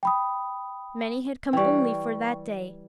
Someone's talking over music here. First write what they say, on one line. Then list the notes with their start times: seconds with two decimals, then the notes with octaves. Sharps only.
Many had come only for that day.
0.03 G5 B5 D#6
1.53 E3 G3 G5 C#6